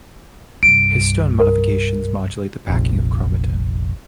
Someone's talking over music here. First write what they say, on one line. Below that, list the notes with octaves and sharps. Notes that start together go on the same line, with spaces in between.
Histone modifications modulate the packing of chromatin.
C2 G2 D7
A#4
F1 A#1